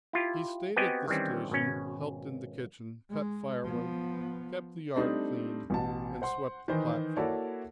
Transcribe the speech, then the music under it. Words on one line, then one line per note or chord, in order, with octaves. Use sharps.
He stayed at the station, helped in the kitchen, cut firewood, kept the yard clean, and swept the platform.
E4 F4 G4
B3 C4 F#4 G4 D#5 G#5
D#3 E3 G3 C4 C#4
G#1 B2 C#4
G#3
F3 B3
G3 A3 C4 D4 D#4
A1 B2 A5
C5 F#5 C6
D#3 E3 D#4 B4 C5
A#3 E4 F#4 A4 C#5 D5